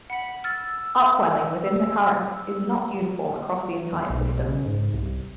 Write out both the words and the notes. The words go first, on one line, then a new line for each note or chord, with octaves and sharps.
Upwelling within the current is not uniform across the entire system.
F#5 B5 C#7
E6 F6 A6
E2
B1
C#3
G#2
C2